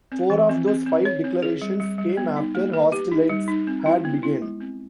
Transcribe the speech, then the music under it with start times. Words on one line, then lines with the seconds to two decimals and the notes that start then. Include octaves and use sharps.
Four of those five declarations came after hostilities had begun.
0.12 C4
0.30 E3
0.49 C4
0.68 C4
0.86 C4
1.05 C#5
1.24 C4
1.42 G#4
1.62 G3
1.80 G3
1.98 G3
2.17 B3
2.36 D#4
2.55 A#3
2.73 B4
2.92 G4
3.12 D#4
3.30 G3
3.48 D#4
3.67 C4
3.86 E4
4.05 B3
4.23 E4
4.42 G#3
4.60 C4